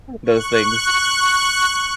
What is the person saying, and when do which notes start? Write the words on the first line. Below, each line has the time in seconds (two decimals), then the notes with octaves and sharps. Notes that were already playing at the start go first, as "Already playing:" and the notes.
Those things.
0.25 C#6 F#6